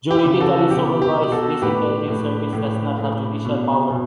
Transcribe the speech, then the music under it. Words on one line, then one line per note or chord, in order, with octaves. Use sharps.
Juridically supervised, this intelligence service does not have judicial power.
G4
C#3
F#4 A4
B2 G4
G4
B2
F#4 A4
A2 G4 B4
A2
A2
A2
B2
B2